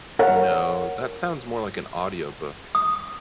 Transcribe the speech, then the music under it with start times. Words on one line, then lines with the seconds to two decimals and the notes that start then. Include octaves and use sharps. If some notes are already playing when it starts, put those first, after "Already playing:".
No, that sounds more like an audiobook
0.19 A#4 C#5 F#5
2.75 D#6